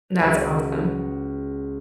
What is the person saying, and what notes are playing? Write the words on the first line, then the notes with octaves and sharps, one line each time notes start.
That's awesome.
C#2 F#4 B4 A6 D7